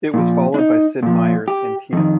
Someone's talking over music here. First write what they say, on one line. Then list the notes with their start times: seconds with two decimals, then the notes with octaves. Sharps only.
It was followed by Sid Meier's Antietam!
0.14 A#2 F3
0.54 D4
0.59 D#4
1.03 A#2 F3
1.48 G4
1.93 F2 D#3